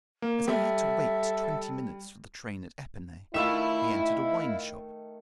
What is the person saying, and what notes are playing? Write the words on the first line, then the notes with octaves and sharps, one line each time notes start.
As I had to wait twenty minutes for the train at Epinay, we entered a wine shop.
A#3
G3 A4 E5
D#3 A3 E4 F4 E5 B5 E6 E7